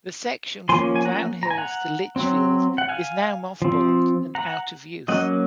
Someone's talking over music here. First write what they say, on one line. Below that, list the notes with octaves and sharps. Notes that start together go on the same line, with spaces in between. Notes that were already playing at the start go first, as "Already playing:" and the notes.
The section from Brownhills to Lichfield is now mothballed and out of use.
F3 A#3 C#4 G#5 C6
G#5
F#5 A#5
A#5
G#5
F#5 A#5
F#3 C4
F#5
F5 G#5
F3 C4
F#5 A#5
F#3 A#3 C#4 D#5 F#5